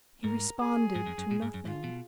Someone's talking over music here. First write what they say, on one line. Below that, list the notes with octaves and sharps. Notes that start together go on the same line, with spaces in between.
He responded to nothing.
G#2 A#4
G#4
G#2
F2
F#2
A#2
G#2
F#2
G#2 F4
B2